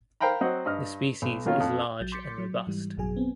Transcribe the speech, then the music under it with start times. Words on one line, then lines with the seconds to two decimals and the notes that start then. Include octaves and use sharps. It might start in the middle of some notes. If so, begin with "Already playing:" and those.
The species is large and robust.
0.21 A#4 C5 F5 G5 A#5 B5
0.41 F#3 C4 D#5 F#5
0.66 G2 D#5 F6
1.22 B1
1.45 B2 D#3 A#3 C#4 F4
1.60 F2
2.00 A#1 F#3 G6 A6
2.12 C6 D6 G6 A6 B6 C#7
2.38 F#3
2.67 G#2 E3 G3
2.97 A1 F#2 B2 F#3 G#4 G#5
3.17 B3 C4